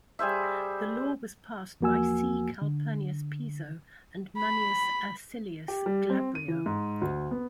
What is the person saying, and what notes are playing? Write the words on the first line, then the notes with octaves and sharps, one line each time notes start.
The law was passed by C. Calpurnius Piso and Manius Acilius Glabrio.
G3 G#4 C5 E5
E2 F3 A#3 F#4 G#5 E6
D3
B5
G4
G3
C4
D#7
E3
G#2
D2
B3